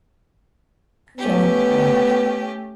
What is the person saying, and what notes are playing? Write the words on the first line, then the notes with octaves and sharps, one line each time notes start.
John Hand.
A3 B3 C#4 G4